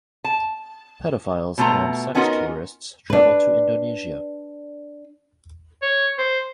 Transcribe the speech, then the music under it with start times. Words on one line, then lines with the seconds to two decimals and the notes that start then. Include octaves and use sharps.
Pedophiles and sex tourists travel to Indonesia.
0.24 A5
1.58 B2 A3 F4 A#5
2.15 B3 C#4 D#4 F4 F#4 A#4
3.10 D4 B4
5.82 C#5
6.18 C5